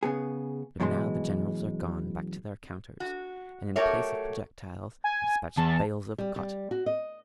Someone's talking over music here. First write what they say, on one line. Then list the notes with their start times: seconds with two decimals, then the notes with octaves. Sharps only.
But now the generals are gone back to their counters; and in place of projectiles, they despatch bales of cotton.
0.03 C#3 B3 G#4
0.80 F#2 B2 E3 G#3 C6
3.00 F#4
3.76 F#3 A3 G4 A#4 C#5 E5
5.04 G#5
5.57 E2 A5
6.18 G3
6.36 G3
6.71 F#4
6.86 D#5